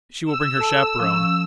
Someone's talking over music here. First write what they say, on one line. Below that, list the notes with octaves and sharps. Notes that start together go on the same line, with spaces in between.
"She will bring her chaperone."
E6
A4 A5
F3 C#4